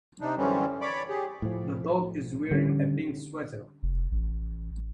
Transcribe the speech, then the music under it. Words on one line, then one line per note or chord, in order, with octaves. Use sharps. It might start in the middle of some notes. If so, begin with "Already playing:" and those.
The dog is wearing a pink sweater.
C3 D4 D#4
F#2 D3 E3 G3 C4 C#4
C#5 D5 B5 D6
G4 G#4
A2 F3
D3 G3 C#4
F1
A1